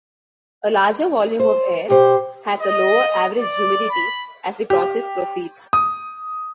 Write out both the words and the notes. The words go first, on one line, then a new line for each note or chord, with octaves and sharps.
A larger volume of air has a lower average humidity as the process proceeds.
C5
B2 G4 C5
D#5
D5
B5
G4
D#6